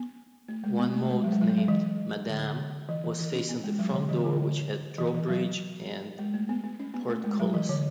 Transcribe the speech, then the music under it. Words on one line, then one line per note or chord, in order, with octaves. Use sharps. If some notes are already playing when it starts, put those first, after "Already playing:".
One moat, named "Madame" was facing the front door which had drawbridge and portcullis.
Already playing: B3
A3
G#3
B3
A3
G#3
F#3
G#3
F#3
G#3
F#3
E3
D3
E3
E3
E3
C#4
B3
G#3
F#3
D3
E3
D3
E3
E3
F#3
G#3
A3
B3
B3
C#4
B3
A3
G#3
F#3
E3
D3